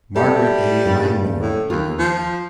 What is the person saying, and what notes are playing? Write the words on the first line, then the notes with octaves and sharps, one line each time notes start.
"Margaret A. Langmore," he murmured.
G3 E4 G4 A4
G2 A#2 C#3
A2
D#2 F4
F3